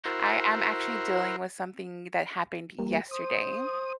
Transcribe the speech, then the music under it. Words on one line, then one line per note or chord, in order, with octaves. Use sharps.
I I'm actually dealing with something that happened yesterday.
E4 F#4 A#4 C5
G3 A#3
C5 D#6